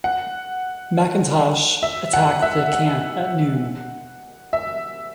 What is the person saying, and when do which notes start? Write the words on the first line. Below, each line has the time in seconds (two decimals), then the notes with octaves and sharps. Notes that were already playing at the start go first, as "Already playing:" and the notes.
McIntosh attacked the camp at noon.
0.04 F#5
1.83 E5
2.13 F#5
2.42 E5
2.73 F#5
4.53 E5